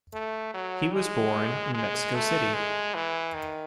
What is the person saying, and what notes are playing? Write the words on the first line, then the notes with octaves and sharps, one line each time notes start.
He was born in Mexico City.
A3
F#3
G#3
G#3
A3
G#3
E3
D#3